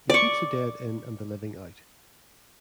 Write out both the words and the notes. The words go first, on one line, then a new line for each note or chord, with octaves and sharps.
He keeps the dead in and the living out.
D5 C#6